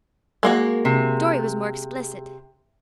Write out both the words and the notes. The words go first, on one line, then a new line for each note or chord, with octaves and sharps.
Dorry was more explicit.
G#3 A#3 F#4
C3